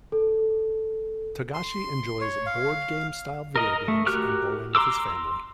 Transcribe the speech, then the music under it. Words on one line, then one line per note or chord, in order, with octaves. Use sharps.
Togashi enjoys board-game-style video games and bowling with his family.
A4
C6
C#5
F5
A#4 D#5 A#5
A3
F#4 G4 A#4 F6 F#6
A#5 C6 D6 E6